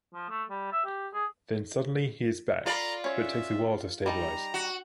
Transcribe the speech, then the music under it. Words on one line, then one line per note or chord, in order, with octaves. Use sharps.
Then suddenly he is back, but takes a while to stabilise.
F3
A3
G3
E5
G4
G#4
F4 A4 D5 A#5 B5
C#4 C#5 E5
G3 D#4 A5 A#5
F#4